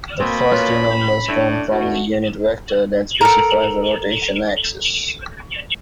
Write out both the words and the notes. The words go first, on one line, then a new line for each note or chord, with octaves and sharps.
The first two numbers come from the unit vector that specifies a rotation axis.
B2 A#3 C4 B5
C#4 F4 B4
A2 D4 E5
B2 A3 D4 F#4
A4 A#4